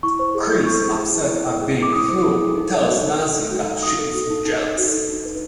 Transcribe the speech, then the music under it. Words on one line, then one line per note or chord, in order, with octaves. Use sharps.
Chris, upset at being fooled, tells Nancy that she is jealous.
E4 C#6
C5
G#4
E4
E4 C#6
C5
G#4
E4
E4
C5
G#4
E4
D6
E4 D#6
C5
G#4
E4
D#4
A4
F#4
D#4
D#4
A4
F#4
D#4
D#4 D#6
A4
F#4
D#4
D#4
A4
F#4
D#4
D4
B4